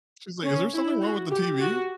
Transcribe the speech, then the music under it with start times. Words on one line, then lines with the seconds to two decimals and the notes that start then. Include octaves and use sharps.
She's like, "Is there something wrong with the TV?"
0.45 C#4
0.73 E4
1.02 F#4
1.31 G4
1.60 F#4